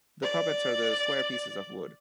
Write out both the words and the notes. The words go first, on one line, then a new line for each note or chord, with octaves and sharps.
The puppets are the square pieces of wood.
D5